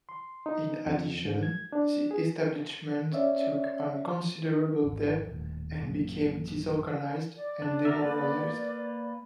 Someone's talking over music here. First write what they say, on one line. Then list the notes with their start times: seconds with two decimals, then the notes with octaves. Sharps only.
In addition, the establishment took on considerable debt and became disorganized and demoralized.
0.09 C6
0.46 D#4
0.86 F2
1.25 G#2
1.43 G#6
1.72 D4
2.11 G#4
3.13 C#4 C#5 D5 E5
4.83 G#1 F2
5.29 D#1 A2
5.81 A1 F#2 A#2 C4
7.37 D5
7.62 D4
7.85 F#4 A#4 E5
8.02 A#3 B4